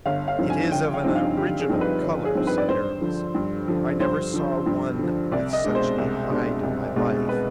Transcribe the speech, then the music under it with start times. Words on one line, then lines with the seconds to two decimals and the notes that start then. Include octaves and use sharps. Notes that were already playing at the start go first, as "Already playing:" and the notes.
"It is of an original color," said Aramis; "I never saw one with such a hide in my life."
0.06 G1 F5
0.28 F5
0.38 G2 F3 C4 D#4
0.50 G#5
0.71 G1 G5
0.94 F5
1.04 G2 F3 C4 D#4
1.15 F5
1.37 G1 G4
1.59 G#4
1.69 G2 F3 C4 D#4
1.81 B4
2.02 G1
2.25 G#4
2.35 G2 F3 C4 D#4
2.47 B4
2.58 D5
2.69 G2 C5
3.01 D3 F3
3.35 G2
3.68 D3 F3
4.00 G2 C5
4.34 D3 F3
4.66 G2
4.99 D3 F3
5.32 C2 D5
5.53 D#5
5.64 B2 G#3 D4
5.75 C5
5.98 C2
6.30 B2 G#3 D4
6.63 C2
6.96 B2 G#3 D4
7.29 B4